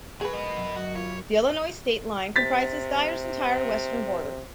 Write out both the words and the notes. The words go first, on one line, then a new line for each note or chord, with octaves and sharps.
The Illinois state line comprises Dyer's entire western border.
F#3 G#4 A#4 B4
G#3 B3 F#4 D#5
F#2 F#3
F#4
F4 C#5 B5 D6
C3 A6 B6